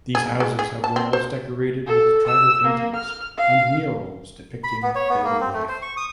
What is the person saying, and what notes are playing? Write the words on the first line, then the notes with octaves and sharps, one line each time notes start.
These houses have walls decorated with tribal paintings and murals depicting daily life.
G#4
G#3
G#4
A5
C4
C5
A4
E6
A#3
F6
F5
B5
B3
C#5
B3
A#3
C4
A3
C5
C#6
D#6